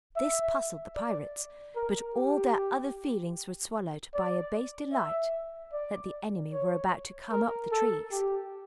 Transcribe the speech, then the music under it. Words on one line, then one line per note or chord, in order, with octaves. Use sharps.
This puzzled the pirates, but all their other feelings were swallowed by a base delight that the enemy were about to come up the trees.
E5
D5
A#4
G4
D5
E5
D5
C#5
A#4
A4
G4